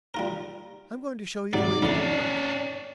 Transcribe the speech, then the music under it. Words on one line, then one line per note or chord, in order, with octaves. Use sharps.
I'm going to show you the way through the woods.
G3 F4 A#4
G#2 C3 F#3 D5
F2 D3 C#4 D4 E4